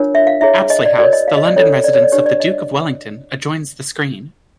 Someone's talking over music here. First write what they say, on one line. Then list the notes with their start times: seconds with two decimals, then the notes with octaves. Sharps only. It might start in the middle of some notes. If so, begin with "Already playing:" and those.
Apsley House, the London residence of the Duke of Wellington, adjoins the screen.
Already playing: D4 F4 A#4 C#5
0.15 E5
0.27 F5
0.41 E4 G#4 C#5 E5
0.70 D#5
0.86 D5
0.98 F#4 A#4 C#5 D5
1.13 D#5
1.28 F5
1.37 D#5
1.46 D5
1.56 C#4 F4 A4 C#5
1.84 D5
1.94 C#5
2.03 D5
2.12 D4 G4 B4 C#5
2.26 D5
2.40 D#5